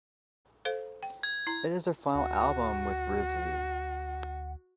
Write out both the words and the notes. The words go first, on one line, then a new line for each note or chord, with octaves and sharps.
It is their final album with Rizvi.
A4 C5 F5
G5
G#6
E4 A#5
D2 F#4 F#5